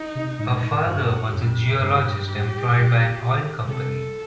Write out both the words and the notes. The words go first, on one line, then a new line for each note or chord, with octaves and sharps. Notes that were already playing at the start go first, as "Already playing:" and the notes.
Her father was a geologist employed by an oil company.
Already playing: D#4
C3
A2
A2
G2 F#4
F#2 G4
G2 G4
A#2
C3 A4